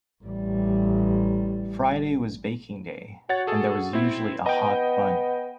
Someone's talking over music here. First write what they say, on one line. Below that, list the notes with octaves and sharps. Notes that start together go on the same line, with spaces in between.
Friday was baking day, and there was usually a hot bun.
A1 G3
F#4 C#5 F#5 A6
G#4 A4
C4 E4
B3 D#5 G5